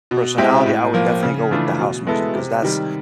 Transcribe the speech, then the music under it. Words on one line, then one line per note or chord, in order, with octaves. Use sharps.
personality, I would definitely go with the house music 'cause that's
B2
G#3 C4 E4 G4
A2
F3 A#3
C#3
E3 A3 D4 F4
B2
G#3 B3 E4 A4
C3
D#3 G3